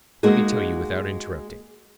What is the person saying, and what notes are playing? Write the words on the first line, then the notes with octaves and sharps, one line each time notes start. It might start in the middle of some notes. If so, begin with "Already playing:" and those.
Let me tell you without interrupting.
G#3 A#3 D#4 F#4 G#4